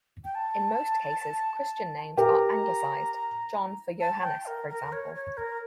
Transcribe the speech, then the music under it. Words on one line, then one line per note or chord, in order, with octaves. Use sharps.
In most cases Christian names are Anglicised - John for Johannes, for example.
G5
A5
G4 A#4 A#5
A5
G5
A#4
A#4
C#5
C#5
A#4